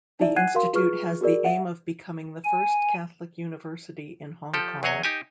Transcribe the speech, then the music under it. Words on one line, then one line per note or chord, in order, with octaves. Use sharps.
The institute has the aim of becoming the first Catholic University in Hong Kong.
D#4 E4 D5 E5
F#5 G#5 F#6 G#6 C7 D#7
F#4 A#4 F5 C6
F4 G#4 B4 C#6 F6
F#4 G#4 A#4 D5
E5 F#5
G#5
F3 G4 A4
E2 F#3 G#4 C#5 D#5 G#5
D#4 G4 G#5